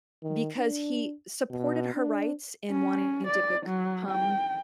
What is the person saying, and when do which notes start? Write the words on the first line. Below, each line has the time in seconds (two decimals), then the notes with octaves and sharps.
because he supported her rights in wanting to become
0.23 D#3
0.58 D4
1.50 B2
1.95 D4
2.70 C#4
3.27 D5
3.66 F#3
4.11 G5